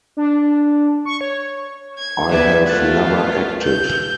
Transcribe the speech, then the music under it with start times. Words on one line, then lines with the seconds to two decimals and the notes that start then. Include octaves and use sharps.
I have never acted.
0.17 D4
1.05 C#6
1.21 C#5
1.99 G#6
2.31 B3 B4 D5 E5 G#6
2.66 A3 F4 B4 F#6 A6
3.64 G6